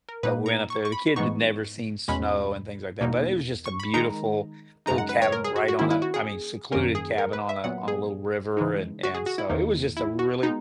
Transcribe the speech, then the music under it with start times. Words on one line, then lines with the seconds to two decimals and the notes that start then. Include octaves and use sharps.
But we went up there, the kids had never seen snow and things like that, but it was just a beautiful little cabin right on a I mean, secluded cabin on a on a little river, and and so it was just a really,
0.09 A#4
0.23 A#2 A#3 D#4 B4
0.46 A#5
0.70 C#6
0.85 C#6
0.92 B5
1.16 G#2 E3 G#3 B3 D#4 C#6
2.08 E2 B2 G#3 C#4 B5
3.01 E2 B2 A#3 D#4
3.66 C#6
3.80 B5
3.94 D#3 G#3 D#4 A#5
4.86 F#2 C#3 G#3 D#4 A#5
4.98 F#5
5.09 B4
5.22 C#5
5.32 A#4
5.44 G#4
5.56 F#4
5.68 F#4
5.79 D#3 A#3 C#4 E4
5.90 E4
6.02 F#4
6.14 G#4
6.72 F#2 D#3 A#3 C#4 A#4
6.95 G#4
7.18 A#4
7.33 B4
7.49 E5
7.64 A#2 F#3 B3 F#5
7.88 G#4
8.57 C#3 E3 G#3 D#4
9.03 F#4
9.14 G#4
9.26 F#4
9.38 E4
9.50 E2 D#3 A#3 D#4
9.97 E4
10.19 F#4
10.43 G#3 B3 D#4